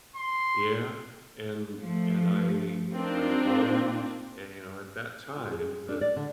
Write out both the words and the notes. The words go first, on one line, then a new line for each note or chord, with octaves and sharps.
Yeah, and and I I learned, eh, you know, at that time that,
C6
F3 A3
C4 D4 D#4 F4 A#4
F4
G#4
D4
D5
D3